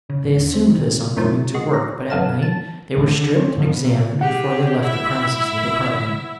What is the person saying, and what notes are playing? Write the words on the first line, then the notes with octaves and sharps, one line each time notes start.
They assumed this on coming to work, but at night they were stripped and examined before they left the premises of the Department.
C#3
G#1
D#2
C4
D#3
C3
F#2 A2 D#3 F3
G#3 F#4
A#5
G1 F#2 B3 A4 F5 E7
A5
C#2 A2 D#3 A3
D3
C4 C#4
G2 D3 D#3 F3
B3
C3
G4 G#4 F#5
E4 E5